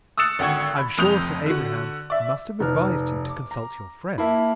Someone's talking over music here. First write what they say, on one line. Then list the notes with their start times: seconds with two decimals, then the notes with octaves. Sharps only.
"I'm sure Sir Abraham must have advised you to consult your friends."
0.17 D#6 E6 F#6 A6 C#7 E7
0.39 G#1 D3 F#5 G5 C#6 G#6
0.77 B5
0.98 F1 F2 D#6 G6 F7
1.46 D3 F#4
2.10 D5 E5
2.60 F1 D#4 B4 F6
3.29 D6
3.51 A#5
4.18 A#3 E4 E5 A5 B5